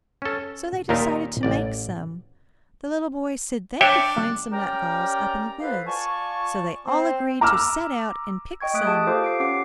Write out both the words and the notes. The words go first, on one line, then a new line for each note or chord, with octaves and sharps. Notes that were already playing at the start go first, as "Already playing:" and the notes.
So they decided to make some. The little boys said they could find some nutgalls up in the woods. So they all agreed to set out and pick some.
C#4 A4
D#2 A#2 D#4 A#4 E5 A5
A1 D5
D4 C#5 E5 G5
C#4 G4 A#4 D5 G5 A#5
B3 E4 A4 B4 C5 F5
F4 D5 G#5 A5 C#6
C4 C5
A#5 D6 E6 F6
D#5 G5 C#6 G#6
A3 E5 D#6 F#6 D7
G4 G#4 A5
F4 A4 C5 F5 D6
D6 C7 D7
C#4 G4 F#5 D6 C7 D7